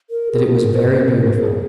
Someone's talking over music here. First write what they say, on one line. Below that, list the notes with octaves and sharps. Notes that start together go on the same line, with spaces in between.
"That it was very--beautiful!"
A#4
G#4
A#4
C5
A#4
A#4
G#4